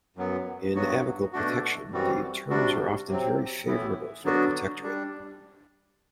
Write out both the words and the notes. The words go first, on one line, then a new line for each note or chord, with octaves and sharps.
In amical protection, the terms are often very favorable for the protectorate.
F#2 F#3 B3
G2 F#3 B3 F#4
B2 A3 D4 F#4
F#2 E3 G3 C4 F#4
C3 G3 D4 F#4
C3 F#3 C4
A2 E3 B3 E4
D3 F#3 B3 D4 F#4
G3 D4